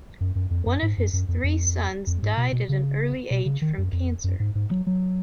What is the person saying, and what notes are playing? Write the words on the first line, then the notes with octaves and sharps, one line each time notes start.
One of his three sons died at an early age from cancer.
F#2
F#2
F2
F#2
G#2
F#2
F#2
F2
F2
F2
G#2
B2
B2
C#3
B2
C#3
D#3
F#2
F2
F#2
G#2
G#2
F#3
F#3